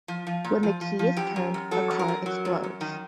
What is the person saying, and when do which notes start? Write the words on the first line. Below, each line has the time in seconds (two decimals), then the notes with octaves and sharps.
When the key is turned, the car explodes.
0.08 F3
0.27 F3
0.44 A#2
0.63 F3
0.81 F3
0.99 F3
1.16 F#2 G4
1.36 F#2
1.54 F#2
1.71 F#3 A4
1.91 F#2
1.99 A#4
2.08 F#2
2.26 F#3
2.45 F#2
2.64 F#2
2.81 D#3